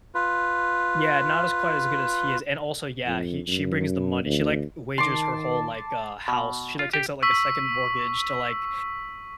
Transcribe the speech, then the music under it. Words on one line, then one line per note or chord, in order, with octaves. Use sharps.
yeah, not as quite as good as he is, and also yeah, he she brings the money, she, like, wagers her whole, like, uh, house, she, like, takes out, like, a second mortgage to, like,
F4 B4
F2
F#2
D2
D#3 A5 C6 D6
B2
F4
G4
C#6 E6 B6